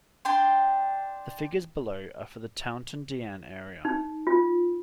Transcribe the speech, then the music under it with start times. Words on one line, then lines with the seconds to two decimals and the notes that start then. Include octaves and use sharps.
The figures below are for the Taunton Deane area.
0.25 D4 G5 C6
3.85 D#4
4.27 F4